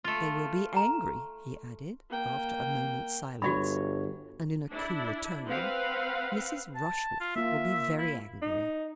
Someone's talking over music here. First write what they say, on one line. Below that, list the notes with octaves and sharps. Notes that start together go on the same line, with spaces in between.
They will be angry," he added, after a moment's silence, and in a cooler tone; "Mrs. Rushworth will be very angry.
A3 F4
A#5
A#3 G5
G1 G2 F#4 C#5 E5 B5
D4 E4
C4 B4 F5 F#5
A5
F4
A#3 F4 E5
E4
D#4